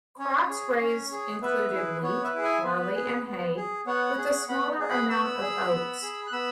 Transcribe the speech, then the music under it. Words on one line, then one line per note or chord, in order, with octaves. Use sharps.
Crops raised included wheat, barley, and hay with a smaller amount of oats.
C#4 C#5
G#4
C#4
G#4
B3 B4 E5
E4 G#4
B3 C#5
B4 E5
E4 G#4
E5 G#5
B3 B4
G#4
B3
G#4
B3 C#5 F#5
G#4
B3 F#5 B5
G#4
F#5 B5
B3 B5 E6
G#4
B3
G#4
F#6
B3 B5 E6